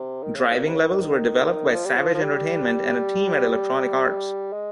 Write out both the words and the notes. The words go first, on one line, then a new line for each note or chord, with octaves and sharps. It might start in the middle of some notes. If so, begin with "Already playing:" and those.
Driving levels were developed by Savage Entertainment and a team at Electronic Arts.
Already playing: C3
D#3
C#3
G#2
A#2
C3
C#3
D#3
F3
G3
F3
F3
G3
G#3